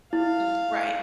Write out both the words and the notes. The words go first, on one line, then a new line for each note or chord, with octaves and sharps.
M Right.
E4 F5